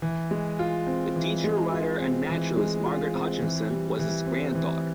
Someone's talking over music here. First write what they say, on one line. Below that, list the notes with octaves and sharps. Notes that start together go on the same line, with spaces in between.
The teacher, writer and naturalist Margaret Hutchinson was his granddaughter.
E3
G#3
F4
C4
E3
G#3
F4
C4
E3
G#3
F4
C4
E3
G3
E3
C4
E3